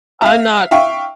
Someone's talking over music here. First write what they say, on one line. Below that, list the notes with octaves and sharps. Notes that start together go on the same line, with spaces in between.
I'm not
E5 F5
E5 F5 G5 C#6